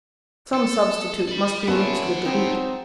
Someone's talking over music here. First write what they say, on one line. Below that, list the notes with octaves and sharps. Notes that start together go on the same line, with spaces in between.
Some substitute must be mixed with the wheat.
A4
D5 B5
A#2 A3 B3 C#4 F#5 A5
F#3 C4 D#4